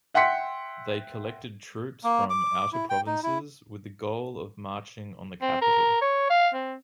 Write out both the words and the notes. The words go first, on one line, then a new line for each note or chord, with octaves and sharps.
They collected troops from outer provinces with the goal of marching on the capital.
E5 F#5 G5 C6 B6 C#7
A#3
D6
E4
G5
D#4
E4
C4
A#4
C#5
F5
C4